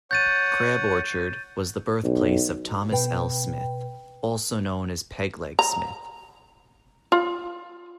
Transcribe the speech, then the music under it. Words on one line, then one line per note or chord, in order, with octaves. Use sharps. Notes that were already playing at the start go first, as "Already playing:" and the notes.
Crab Orchard was the birthplace of Thomas L. Smith, also known as "Pegleg" Smith.
C#5 F#5 G6 A6 D#7
B1
B2 B4 G5
A#5
F4